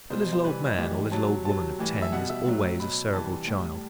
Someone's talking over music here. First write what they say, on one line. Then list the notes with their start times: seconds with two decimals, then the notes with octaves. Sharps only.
The "little old man" or "little old woman" of ten is always a Cerebral child.
0.10 B2 G3 C5
0.22 C5
0.33 C5
0.44 C3 E3 G3 B4
0.66 D#5
0.78 A2 E3 G3
1.12 C3 F#3 A5
1.45 C3 F#3 A5
1.79 A2 E3 G3
2.02 E5
2.12 B2 G3 F#5
2.29 E5
2.46 A2 F#3
2.80 B2 F#3 B5
3.13 C3 E3 G3 A5
3.47 A2 G3